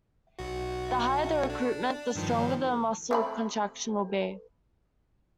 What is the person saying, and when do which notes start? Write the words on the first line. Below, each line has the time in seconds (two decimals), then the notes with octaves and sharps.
The higher the recruitment the stronger the muscle contraction will be.
0.39 B1 F#4
1.50 D4
2.15 G2 D#3 F3
3.11 A3 C4 B5